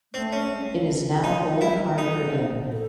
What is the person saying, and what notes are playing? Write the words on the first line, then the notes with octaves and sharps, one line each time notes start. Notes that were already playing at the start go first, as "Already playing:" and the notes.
It is now Olde Harbour Inn.
A3 C4
C#4
G#3
A3
C4
C#4
G#4
D#4 F#4
E4
D#4 A4
C5
C5
A4